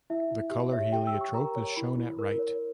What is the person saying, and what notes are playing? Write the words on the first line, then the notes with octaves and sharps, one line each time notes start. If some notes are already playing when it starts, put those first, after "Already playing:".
The color heliotrope is shown at right.
E4 E5
E4
G4
C#5 E5
G4 G5
E6
G4
C#6
A#4 A#5
C#5
E4 B5
E4
A#4
C#5